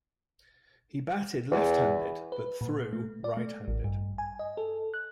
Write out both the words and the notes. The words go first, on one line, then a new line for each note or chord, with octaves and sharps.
He batted left-handed but threw right-handed.
E2
B4
A#2
A3
D5
A3
A1
G2
G#5
D#5
A4
F#6